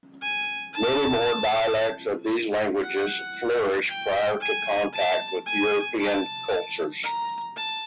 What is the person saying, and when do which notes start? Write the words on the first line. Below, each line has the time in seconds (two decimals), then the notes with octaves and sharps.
Many more dialects of these languages flourished prior to contact with European cultures.
0.21 G#5
0.73 A5
2.83 F#5
3.89 G5
4.41 G#5
4.93 A5
5.46 G#5
5.99 A5
7.03 A#5
7.56 A5